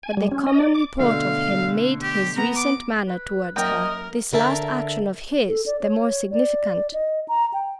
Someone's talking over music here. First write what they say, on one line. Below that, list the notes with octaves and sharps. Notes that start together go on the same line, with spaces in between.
But the common report of him made his recent manner towards her, this last action of his, the more significant.
G#5
G3
C#4
D#5
D5
D6
B2 D3 A3 F5
G4
B3 A#5
D6
B4
F#2 A#3 A#4 D#5 G5
D3 A#4 E5 A5
A4
D5
C#5
D5
D#5
A#5
G5